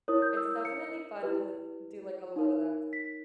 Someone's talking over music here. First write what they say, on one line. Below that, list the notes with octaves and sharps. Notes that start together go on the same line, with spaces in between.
It's definitely fun to do, like, a lot of that s
E4 A#4 C#5 D#6
G6
E6
E6
C#7
E4 G4 B4
D#4 A#4 C#5
B6